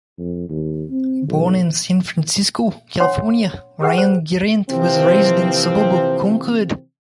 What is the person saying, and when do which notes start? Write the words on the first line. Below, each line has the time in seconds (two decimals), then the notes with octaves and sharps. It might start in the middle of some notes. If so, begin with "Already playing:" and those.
Born in San Francisco, California, Ryanen-Grant was raised in the suburb of Concord.
0.18 F2
0.49 D#2
0.90 C4
1.28 B1
3.00 D4 C#5 F#5 C6
3.81 G4 G#4 B4 F#5 G5
3.98 C5
4.70 C3 E3 F3 A#3 C4